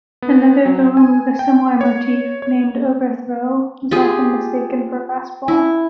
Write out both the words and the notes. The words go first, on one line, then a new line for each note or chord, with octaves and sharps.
Another villain with a similar motif, named Overthrow, was often mistaken for Fastball.
B3
F#3
G#5
G5
C#5
C#5
F4 G4 G#4
E4